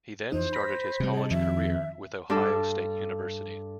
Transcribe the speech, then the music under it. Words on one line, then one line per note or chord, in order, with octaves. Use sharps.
He then started his college career with Ohio State University.
F2 E3 D#4 C5
B5 A#6 B6
C3 G3
G#4 D#5 A5
F2 D#3 E5
G2 D4 A4